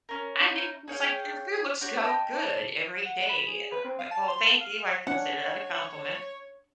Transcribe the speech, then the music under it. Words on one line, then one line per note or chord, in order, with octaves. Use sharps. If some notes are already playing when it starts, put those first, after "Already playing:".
I make" He's like, "Your food looks so good every day!" and I'm like, "Well, thank you, I consider that a compliment
C#4 A#4
C#4 D#4 E4
G#4 C#5 F5 G5
D4 F#4 G4 C#5
D#5 G5 A5
D6
F#5
B5
G#4
B4
C4
F5
A5
C6
A4
F5
C#4 D4 C#5 F#5